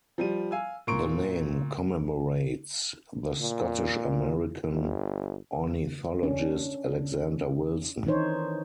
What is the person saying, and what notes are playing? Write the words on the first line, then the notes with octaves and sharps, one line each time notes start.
The name commemorates the Scottish-American ornithologist Alexander Wilson.
F3 G3 D#7
F5 G#5 E6
A#2 A#5 C6 C#6 D7
A#2
G1
C#4 D4
D#3 E3 D4 D#4 C5 C#5